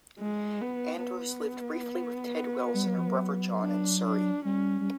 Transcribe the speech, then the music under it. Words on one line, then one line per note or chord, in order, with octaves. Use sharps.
Andrews lived briefly with Ted Wells and her brother John in Surrey.
G#3
B3
B3
G3
F#3
F3
F#3
D4
D4
G3 C#4
G3